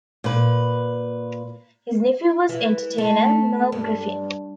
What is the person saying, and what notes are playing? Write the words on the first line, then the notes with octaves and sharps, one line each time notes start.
His nephew was entertainer Merv Griffin.
A#2 B4
E3
A3
G2